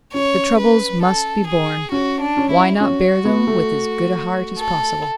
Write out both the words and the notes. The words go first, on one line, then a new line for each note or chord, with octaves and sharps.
The troubles must be borne; why not bear them with as good heart as possible?
C#4 C#5
B4
A4
G#4
C#4 F#4
D4
C#4
E4
C#4 F#4
B3
A3
A4